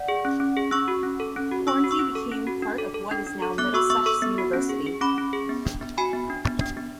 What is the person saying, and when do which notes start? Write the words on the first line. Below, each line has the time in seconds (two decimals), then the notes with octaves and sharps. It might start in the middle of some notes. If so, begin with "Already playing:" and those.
Hornsey became part of what is now Middlesex University.
Already playing: D5 F#5
0.08 G#4
0.25 C#4
0.40 C#4
0.57 G#4
0.71 C#4 C#6 E6
0.88 F#4
1.03 C#4
1.20 A4
1.36 C#4
1.52 F#4
1.67 C#4 C#6 E6
1.84 F#4
1.91 C#6 E6
1.99 C#4
2.15 A4
2.32 C#4
2.47 F#4
2.62 D4
2.78 A4
2.94 A4
3.11 D4
3.27 D4
3.42 A4
3.58 B3 D6 F#6
3.74 F#4 C#6 E6
3.90 B3 C#6 E6
4.06 A4 C#6 E6
4.22 B3
4.38 F#4
4.53 C#4
4.69 G#4
4.86 G#4
5.01 C#4 B5 D6
5.18 C#4
5.33 G#4
5.49 B3
5.65 D4
5.81 B3
5.98 F#4 G#5 B5
6.13 B3
6.30 D4
6.45 B3
6.61 D4
6.77 B3